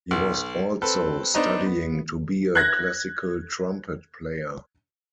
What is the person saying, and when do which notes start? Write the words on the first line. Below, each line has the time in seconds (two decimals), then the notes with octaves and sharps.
He was also studying to be a classical trumpet player.
0.11 B1
0.82 C4 A4 B4
1.34 B3 D4 D#4 C5 D#5 A#5
1.66 B3
2.55 F#6 G#6 A#6